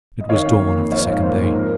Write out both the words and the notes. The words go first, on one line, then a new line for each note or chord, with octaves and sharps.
It was dawn of the second day.
D#5
D#3 C#5 F5
F2
A#3
F2
F3 C#5 F5
G#2 C#5 F5
A#3 C5
G#2
F3 A#4